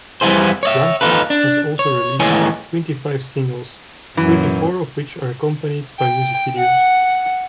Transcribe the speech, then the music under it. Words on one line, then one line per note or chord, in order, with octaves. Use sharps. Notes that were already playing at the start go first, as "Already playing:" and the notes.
Rammstein has also released twenty-five singles, twenty-four of which are accompanied by music videos.
F2 E3 G3 E4 G#4 C5
C#5 D5 E5
D#2 A#2 D#4 F4 A4 B4
D4
C#5
D#2 A2 E3 G#3 C#5 G#5
F#2 A#2 E3
G5
F#5